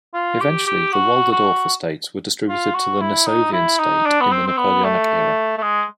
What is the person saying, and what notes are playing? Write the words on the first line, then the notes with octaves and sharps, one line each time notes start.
Eventually the Walderdorff estates were distributed to the Nassovian state in the Napoleonic era.
F4
G4
G4
F#4
F#4
F4
F#4
E4
D#4
E4
D#4
D4
B3
C4
C4
B3
A3
A3
G#3